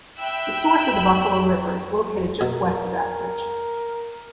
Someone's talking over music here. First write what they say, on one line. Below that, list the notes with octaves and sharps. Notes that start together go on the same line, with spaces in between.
The source of the Buffalo River is located just west of Ethridge.
E5 G5 B5 E6 F#6
B2 A#4